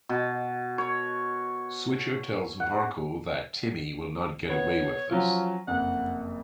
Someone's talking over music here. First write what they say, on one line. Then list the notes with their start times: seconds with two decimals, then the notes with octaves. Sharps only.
Switcher tells Marco that Timmy will not get away with this.
0.09 B2
0.78 C#5
2.60 F#5
4.50 B3 C#5
5.11 F3 F#3 C#4 F4
5.67 F#1 F2 F#5